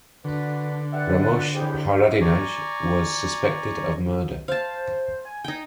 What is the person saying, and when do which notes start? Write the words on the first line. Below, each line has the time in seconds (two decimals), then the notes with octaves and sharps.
Ramush Haradinaj was suspected of murder.
0.24 D3 D4 F#4 B4
0.93 G4 B4 D5 E5 F#5 F#6
1.53 C2 F2 A2 G4 G#4
2.21 D5 G#5 A#5 C#6
4.48 C5 F5 A5
5.25 G#5
5.44 D#4 G5